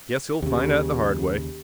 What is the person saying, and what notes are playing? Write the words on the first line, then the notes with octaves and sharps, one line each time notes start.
"Guess he'll find out the hard way."
D#2 C#3 G4